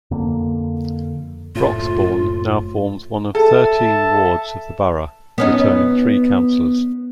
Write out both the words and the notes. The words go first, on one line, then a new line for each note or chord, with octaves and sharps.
Broxbourne now forms one of thirteen wards of the borough, returning three councillors.
F2 D3 A#3
F#1 A2 F4
A4 E5 A5
B3 C#4 D#4